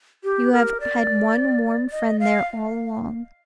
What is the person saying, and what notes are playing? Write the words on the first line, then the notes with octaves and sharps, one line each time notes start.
You have had one warm friend there all along.'
G4
A#4
D5
D#5
F5